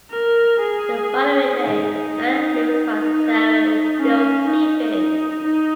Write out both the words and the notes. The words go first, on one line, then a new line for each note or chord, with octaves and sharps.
The following day Stella leaves while Sarah is still sleeping.
A#4
G#4
D#4
D#4
C#4
D#4
D#4
D#4